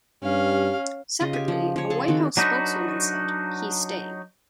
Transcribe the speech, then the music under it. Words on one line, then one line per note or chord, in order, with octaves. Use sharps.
Separately, a White House spokeswoman said, "He's staying".
G2 C#4 G4 F5
C#3 F4 D#5
G4 G#5
F3
F3 C#5
G#4 A4 A5
D#3 C4 F#4
F#3 D4 D#4 F#4 B4